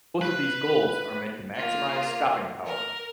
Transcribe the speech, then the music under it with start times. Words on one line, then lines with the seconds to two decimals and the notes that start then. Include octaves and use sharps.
Both of these goals are meant to maximize stopping power.
0.22 B4
1.55 A#3 F4
2.65 A#4